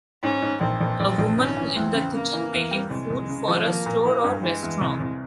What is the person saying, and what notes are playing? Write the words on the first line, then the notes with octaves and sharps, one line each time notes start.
A woman is in the kitchen making food for a store or restaurant.
G#2 C#4
G#2
A#1 C4
A#1
A#1
A#1
G#1 C#4
E3
E2 C4
C#3
C#3 A#3
E3
E2
G3
C2 G#3
C2
C#3
F3
F3 A#3
A#2
A#3 E4
G2
E3 G#3
E2
C2
C2